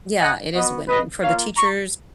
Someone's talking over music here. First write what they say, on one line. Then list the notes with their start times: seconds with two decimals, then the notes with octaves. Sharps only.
Yeah, it is win-win, for the teachers,
0.20 D#5 F#5
0.54 B3 F#4 B4 D#5
0.89 B4 D#5
1.22 A#3 F4 C#5 F5
1.56 A#5 C#6